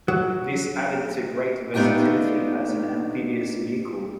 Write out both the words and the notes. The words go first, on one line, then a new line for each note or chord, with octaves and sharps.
This added to great versatility as an amphibious vehicle.
F#3
A3 B3 D4 D#4 F4 G4